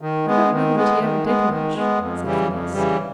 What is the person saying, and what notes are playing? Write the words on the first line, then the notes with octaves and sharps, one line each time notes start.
"I don't know that he ever did much," said Phineas.
D#3
G#3 B3
D#3
G#3 B3
D#3
G#3 B3
D#3
G#3 B3
F2
C#3 E3 G3
F2
C#3 E3 G3